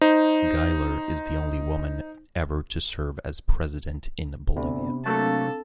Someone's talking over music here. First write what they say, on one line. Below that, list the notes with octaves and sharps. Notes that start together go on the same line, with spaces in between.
Gueiler is the only woman ever to serve as president in Bolivia.
D#4 C5
D2 C3 B3 D4 B5
F#3 A3 A#3 C4 D4 A4 F5